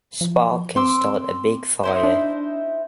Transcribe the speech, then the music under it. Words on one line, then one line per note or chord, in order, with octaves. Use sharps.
Spark can start a big fire.
F3
C4 C6 D6 E6
D#4 E4 C5
D4